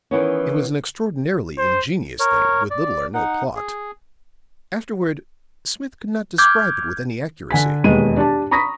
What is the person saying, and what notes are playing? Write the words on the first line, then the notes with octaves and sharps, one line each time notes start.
It was an extraordinarily ingenious thing, with little or no plot; afterward Smith could not describe it with any accuracy.
D#3 E3 B3 C#4
C5
A#4 C#5
D5
D#4 F#5
G#4
D6 F6 G6 G#6
D3 G#5 B6
E1 D#2 D#3 G#3 B3 D#7
D4 G4 A5
A#5 B5 C#6 D#6 A#6 B6